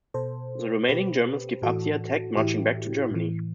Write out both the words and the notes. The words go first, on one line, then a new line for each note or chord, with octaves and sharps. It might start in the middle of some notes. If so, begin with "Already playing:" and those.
The remaining Germans give up the attack, marching back to Germany.
B2 A4 C5
B2 G4 B4
A2 E3 F#4 A4
A2 E3 E4 G4
A2 E3